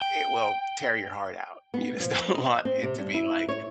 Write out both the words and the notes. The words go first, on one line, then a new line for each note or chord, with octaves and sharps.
it will tear your heart out. You just don't want it to be like,
G5
B3
F3
D#5
C4
C3
G2
E4
C#5